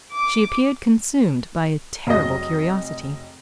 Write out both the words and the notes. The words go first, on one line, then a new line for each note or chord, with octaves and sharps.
She appeared consumed by a terrible curiosity.
D6
F1 F#3 G#4 D#5 A#6